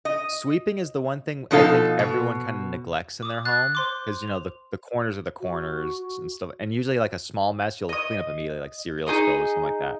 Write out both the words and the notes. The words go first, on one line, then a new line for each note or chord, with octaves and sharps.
sweeping is the one thing I think everyone kinda neglects in their home, 'cause, you know, the the corners of the corners and stuff, and usually, like, a small mess, you'll clean up immediately, like cereal spill or something like that.
D#5
B2 F3 D4 D#4 A4 F5
B2
D6 D#6
F#6 A6 C7
C5 C6 D6
F7
F#4
D#5 D#6
D#4 G4 G#4 D#5